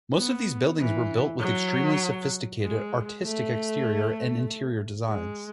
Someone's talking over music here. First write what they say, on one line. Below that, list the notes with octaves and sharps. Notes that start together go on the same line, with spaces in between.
Most of these buildings were built with extremely sophisticated artistic exterior and interior designs.
B3
E3
F#3
G#3
A3
G#3